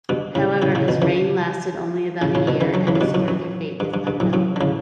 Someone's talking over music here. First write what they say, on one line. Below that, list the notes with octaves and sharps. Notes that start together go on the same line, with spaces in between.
However, his reign lasted only about a year and his further fate is unknown.
G2 B2
A2 C#3
A2 C#3
A2 C#3
B2 D3
C#3 E3
A2 C#3
A2 C#3
B2 D3
C#3 E3
D3 F#3
C#3 E3
A2
G2 B2
F#2 A2
F#2
G2
G2
G2
F#2 A2
F#2 A2
D3
A2 C#3